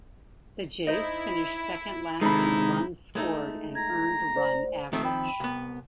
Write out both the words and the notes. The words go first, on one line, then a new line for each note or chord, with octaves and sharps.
The Jays finished second last in runs scored and earned run average.
D#4 E4 C5 D#5
C3 D#3 G#3 D#4 E4 A4 B5
G#3 A3 D#4
A#5 G#6
C5 D5
D#3 F3 A3 C4
G5 B5
C2 B3